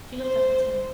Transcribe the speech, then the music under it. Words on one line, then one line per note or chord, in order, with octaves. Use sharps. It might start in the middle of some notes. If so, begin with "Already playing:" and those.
She looked up at him.
C5